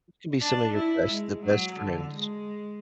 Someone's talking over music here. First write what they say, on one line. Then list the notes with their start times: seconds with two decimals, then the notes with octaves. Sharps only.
To be some of your best the best friends.
0.41 D4
0.75 E4
1.09 G#3
1.43 F#3
1.77 D3
2.12 G#3